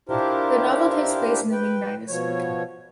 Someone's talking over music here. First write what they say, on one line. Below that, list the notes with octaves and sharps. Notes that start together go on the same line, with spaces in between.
The novel takes place in the Ming dynasty.
D4 E4 F4 G4 A#4 C5
B4 G5
B2 F3 C#5